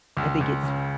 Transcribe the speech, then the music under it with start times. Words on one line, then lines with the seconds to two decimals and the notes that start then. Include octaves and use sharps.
I think it's
0.17 C#2
0.41 C#2
0.63 C#3